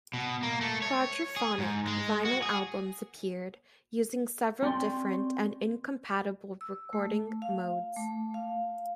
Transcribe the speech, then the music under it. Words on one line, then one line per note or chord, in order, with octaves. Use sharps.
Quadraphonic vinyl albums appeared, using several different and incompatible recording modes.
B2
A#3
A3
C#5
G#4
G#2
G#3
F#4
G#4
C4 C#4 G4 D5 C6
E6
A3
F5
A3
F5